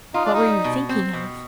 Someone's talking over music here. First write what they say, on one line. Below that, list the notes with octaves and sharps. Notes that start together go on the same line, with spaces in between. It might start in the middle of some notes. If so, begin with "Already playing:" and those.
"What were you thinking of?"
D#4 F4
D4
D#4
G3
B2
C4
B2